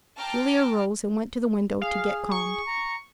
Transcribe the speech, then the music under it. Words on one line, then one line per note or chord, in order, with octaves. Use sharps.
Julia arose and went to the window to get calmed.
G5 A5 A#5 C6 D6 F6
G#4 F5
C#6
A#5